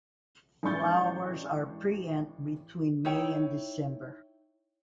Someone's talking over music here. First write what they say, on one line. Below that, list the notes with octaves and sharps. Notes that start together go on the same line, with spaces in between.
Flowers are preent between May and December.
A1 G#3 D4 C#6 G6 A6
D#4 E4 C#5 G5